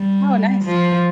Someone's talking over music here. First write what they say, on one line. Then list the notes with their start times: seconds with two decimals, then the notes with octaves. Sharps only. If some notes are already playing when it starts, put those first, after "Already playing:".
Oh, nice.
Already playing: G3
0.65 F3